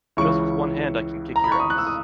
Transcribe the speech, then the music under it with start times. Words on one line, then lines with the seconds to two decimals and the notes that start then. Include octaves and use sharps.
Just with one hand I can kick your ass.
0.17 C#2 C#3 E3 C#6
1.36 A#5
1.44 B5
1.52 C#6
1.60 D#6
1.70 F#6
1.78 E6
1.87 D#6